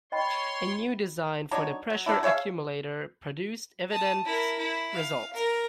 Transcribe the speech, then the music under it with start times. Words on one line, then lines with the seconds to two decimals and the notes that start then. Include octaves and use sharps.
A new design for the pressure accumulator produced evident results.
0.12 C#5 D#5 G5 B5 C6
1.51 F#3 D4 D#4 C#5
1.90 F#3
2.06 F#3 A3 D4 E4
2.23 G#4 C#5 E5 F5
3.91 A5 D#6
4.25 E4 A#4
4.58 E4
4.92 F5
5.33 A#4